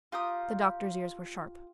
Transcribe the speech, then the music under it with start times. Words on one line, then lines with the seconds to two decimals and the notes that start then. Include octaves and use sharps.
The Doctor's ears were sharp.
0.12 F4 G4 A#5 D#6